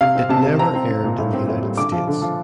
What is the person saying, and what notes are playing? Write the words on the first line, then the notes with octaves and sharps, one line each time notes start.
It never aired in the United States.
C3 F5
C4
C3 A5
C3
C4 A#5
C4
C4
A#2
A2
C4
A2
G3
D3 D6
F3
D3
F3